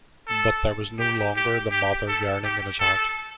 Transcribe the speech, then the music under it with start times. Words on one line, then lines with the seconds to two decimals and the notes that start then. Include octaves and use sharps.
But there was no longer the mother yearning in his heart.
0.28 A4
1.00 G4
1.36 G4
1.72 G4
2.08 A4
2.44 G4
2.80 A4